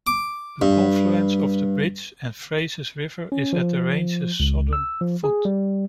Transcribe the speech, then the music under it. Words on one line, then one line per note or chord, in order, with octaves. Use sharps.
The confluence of the Bridge and Fraser Rivers is at the range's southern foot.
D6
G2
C#4
F3
C#2
E6
F3
G#4
G3